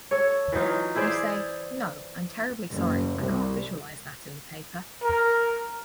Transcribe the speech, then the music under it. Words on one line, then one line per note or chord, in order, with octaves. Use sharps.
You say, 'No, I'm terribly sorry, I can't visualise that in the paper.
A4 C#5
E3 F#3 D#4 F4
E4 G#4 C5 D5
F#1
C2
A#4